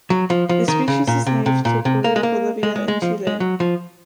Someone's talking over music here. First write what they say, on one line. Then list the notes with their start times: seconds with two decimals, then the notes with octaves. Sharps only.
The species is native to Peru, Bolivia and Chile.
0.10 F#3
0.30 F3
0.49 F3
0.68 D#3
0.88 C#3
1.07 A#2
1.26 C3
1.46 C3
1.65 A#2
1.85 C3
2.04 A#3
2.16 G#3
2.23 A#3
2.63 G#3
2.76 G#3
2.88 G#3
3.02 F3
3.27 G#3
3.40 F#3
3.60 F3